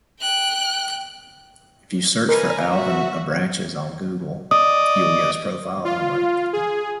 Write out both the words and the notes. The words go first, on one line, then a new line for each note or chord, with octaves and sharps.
If you search for Alvyn Abranches on Google, you will get his profile only.
G5 F#6
A#4 B4 G#5 A#5
F#4 E5
D5 D#5 D#6
F4
G#4